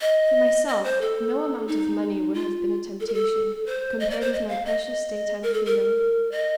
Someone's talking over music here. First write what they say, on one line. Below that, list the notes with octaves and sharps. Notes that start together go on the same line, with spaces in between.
For myself, no amount of money would have been a temptation, compared with my precious daytime freedom.
D#5
D#5
C5
A4
D#4
F4
A4
A#4
A4
C5
D#5
D5
C5
D#5
F5
D#5
A#4
A4
A#4
D#5